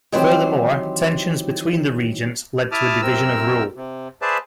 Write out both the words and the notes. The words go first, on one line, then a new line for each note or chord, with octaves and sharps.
Furthermore, tensions between the regents led to a division of rule.
D#3 E3 F#3 C4 G4 C5
E4 E5 A5 D6 D#6 F6
F#2 C3 C4 A#4 E6
C3
G#4 B4 C5 D5 E5 A5